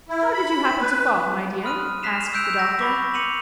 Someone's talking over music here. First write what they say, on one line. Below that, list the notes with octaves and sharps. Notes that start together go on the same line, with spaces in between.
"How did you happen to fall, my dear?" asked the doctor.
E4
B5
B4
B5 C6 D#6 F6 F#6 D#7
C#6 F#6 B6 C7 E7 F7
E6 F#6 G6 D7 F7
F#6 A#6
B5 C#6 D6 A#6 B6
C6 D6 C#7 D#7 F7 F#7